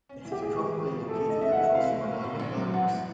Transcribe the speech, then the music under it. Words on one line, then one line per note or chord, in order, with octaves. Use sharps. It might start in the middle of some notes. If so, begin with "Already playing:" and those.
It is currently located across from an army barracks.
C#4
E3
G4
A2 G#4
G#3
A2
F3
A2 A4
A4
A3
D#5
C#4 E5
E3 F#5
E5
C3 F5
G#3
A#3
A#2
A#1
F#3
A1 F#5
A2